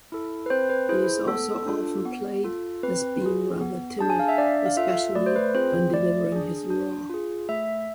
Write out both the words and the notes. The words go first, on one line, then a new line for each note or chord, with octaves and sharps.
He is also often played as being rather timid, especially when delivering his "roar".
E4 A4
B4
C4 C5
B4
E4 G#4 C5
B3 A4
D4 F4 A4
B3
F4 A4
C4 B4
F4 G#4
B3
D4 G#4 A5
G#5
F5
E5
D4 D5
F5
F4 A4 E5
A3 D5
C5
B4
C4 F4 G#4 C5
A3 D5
D4 G#4
D4
F4 G#4
A3 E5